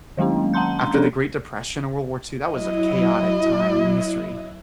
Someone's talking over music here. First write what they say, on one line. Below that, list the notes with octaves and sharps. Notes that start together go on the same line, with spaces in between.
after the Great Depression and World War II, that was a chaotic time in history,
D#3 F#3 G#3 A#3 C#4
F#5 A5 A#5 C6 G6
G#3 A#5 C6
F3 C#4 D4 G#4 A4 C#5
F#3 E4 D#5